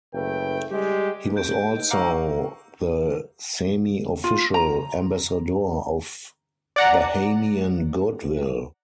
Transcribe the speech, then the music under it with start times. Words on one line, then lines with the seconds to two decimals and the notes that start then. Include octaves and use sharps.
He was also the semiofficial Ambassador of Bahamian Goodwill.
0.14 F#1 A3 B4 G5
0.71 G3 G#3 G4
1.36 A#3 G4 F#6 G6 D7
1.76 D#4 B4 D#5
1.91 F5 F#5 A#5 C#6 D6 E6 C#7
4.24 F4
4.54 A#5
6.76 D5 F#5 A#5